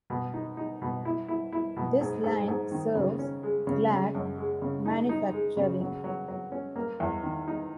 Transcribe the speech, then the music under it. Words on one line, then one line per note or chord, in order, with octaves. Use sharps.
This line serves Glad Manufacturing.
B2
D#4
D#4
B2
E4
E4
E4
B2
G#2
G#2
G#2
D#3
C#3
C#4
G#3
C#3
C#3
F#2
G#3
C#3
D#4
D#4
G#3
C#3
F#3
F#3
F#3
C#4
A#3
E2
D#3
D#4